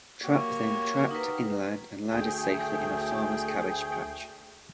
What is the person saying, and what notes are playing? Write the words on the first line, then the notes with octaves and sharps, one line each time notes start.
Trappe then tracked inland, and landed safely in a farmer's cabbage patch.
A#3 F#4 G4 C#5
D#4 A#4 B4
D2 A3 G#4 G5